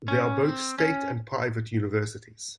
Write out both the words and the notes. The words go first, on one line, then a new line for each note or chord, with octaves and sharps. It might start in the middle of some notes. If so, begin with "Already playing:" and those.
There are both state and private universities.
C#4
C4
C#4